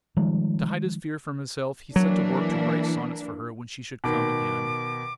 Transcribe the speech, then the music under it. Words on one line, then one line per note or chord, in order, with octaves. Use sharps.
To hide his fear from himself, he set to work to write sonnets for her when she should come again....
D#3 F3 G3 G#3
E3 F#3 A#3 D4
B2 D#3 D6